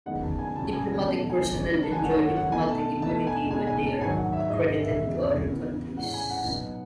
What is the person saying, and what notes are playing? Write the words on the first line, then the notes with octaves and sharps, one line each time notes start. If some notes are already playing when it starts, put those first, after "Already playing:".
Diplomatic personnel enjoy diplomatic immunity when they are accredited to other countries.
F#2 D#3 G#3 B3 D#4 F#5
A5
G#5
F#2 C#3 F#3 C#4 A5
G#5
G#5
B2 F#3 A3 D#4 A5
G#5
C#3 G#3 D#4
A5
G#5
F#2 D#3 A3 C#4 F#5
F#5
F#5
B2 A3 D#4 G#5
A5
B2 A3 D#4 A5
G#5
B2 G#3 D#4 G#5
G#5
A5
G#2 D#3 F#3 G#5
F#5
E5
G#2 D#3 G#3 D#5
D#5
E5
E2 C#3 G#3
C#3 E3 B3
A2 G#3 C#4 F#5
G#5
F#5
B2 F#3 B3 D#4